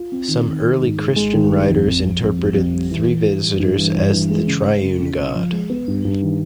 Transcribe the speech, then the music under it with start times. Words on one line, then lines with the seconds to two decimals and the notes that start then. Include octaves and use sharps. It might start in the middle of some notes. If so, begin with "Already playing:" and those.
Some early Christian writers interpreted the three visitors as the triune God.
Already playing: F4
0.12 C4
0.28 D#3
0.46 D#3
0.64 D#3
0.81 G#2
0.98 G#3
1.16 G#3
1.33 D#3
1.51 G3
1.68 F2
1.86 F2
2.03 F2
2.21 F2
2.39 G3
2.55 F2
2.73 G3
2.91 E3
3.08 E3
3.26 E3
3.43 G3
3.60 G2
3.77 E3
3.95 G2
4.13 E3
4.30 G#3
4.47 C#3
4.64 G#3
4.82 C#3
5.00 C#3
5.17 C#3
5.35 F3
5.52 G#3
5.70 B3
5.88 G2
6.05 G2
6.22 D#3